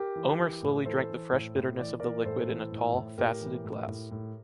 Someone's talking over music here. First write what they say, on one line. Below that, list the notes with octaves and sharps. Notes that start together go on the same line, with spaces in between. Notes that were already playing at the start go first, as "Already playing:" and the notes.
Omer slowly drank the fresh bitterness of the liquid in a tall, faceted glass.
Already playing: G4 A#4
E3
E3
A2
E3 A4 C5
E3
A2
A2
E3 D5
E3 A#4 D5
A2 A4 C5
E3
A2
A2
A2 G4 A#4
E3
A2
A2
A2